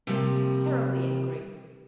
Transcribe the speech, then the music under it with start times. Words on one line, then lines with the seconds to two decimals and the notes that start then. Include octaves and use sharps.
"Terribly angry."
0.07 C3 F3 G3 A#3